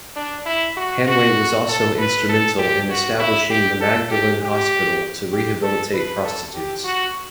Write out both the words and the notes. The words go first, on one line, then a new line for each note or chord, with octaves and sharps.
Hanway was also instrumental in establishing the Magdalen Hospital to rehabilitate prostitutes.
D4
E4
F#4
F#4
A4
B4
A4
G4
F#4
E4
G4
A4
G4
G4
G4
A4
B4
A4
G4
F#4